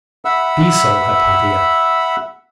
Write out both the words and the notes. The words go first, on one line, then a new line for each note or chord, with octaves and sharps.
Be so, Hypatia....
E5 F#5 B5 E6